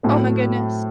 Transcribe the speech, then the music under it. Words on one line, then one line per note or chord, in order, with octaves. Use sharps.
Oh my goodness.
A2 F#3 A3 C4